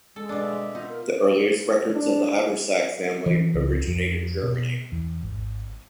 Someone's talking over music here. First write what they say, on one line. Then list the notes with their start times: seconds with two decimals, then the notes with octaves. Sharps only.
The earliest records of the Habersack family originate in Germany.
0.16 G#3 A4
0.29 B2 D4 D5 D6 D#6
0.43 E5 E6
0.75 B3 D#4 F4
0.89 A#4
1.95 D4
3.26 E3
3.54 C#2
3.87 F2
4.43 B2
4.92 E2
5.23 G#1